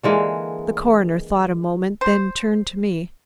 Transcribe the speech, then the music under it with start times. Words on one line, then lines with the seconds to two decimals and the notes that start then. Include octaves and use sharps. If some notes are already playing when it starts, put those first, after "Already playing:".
The coroner thought a moment, then turned to me.
0.03 D3 E3 G#3 A#3
2.01 C5